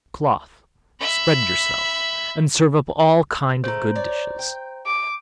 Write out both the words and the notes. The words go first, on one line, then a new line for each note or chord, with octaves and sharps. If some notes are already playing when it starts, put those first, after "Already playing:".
'Cloth, spread yourself, and serve up all kind of good dishes.'
E5 B5
C#3 A3 C5 A#5
C#5 D5
G5
D6